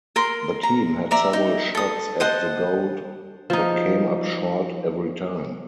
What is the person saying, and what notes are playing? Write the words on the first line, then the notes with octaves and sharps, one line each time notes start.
The team had several shots at the gold but came up short every time.
A#4 C6
A#5
D5 E5 A#5
D#4
A4 D#6
C5 D#5 F#5 A5
F3 D#4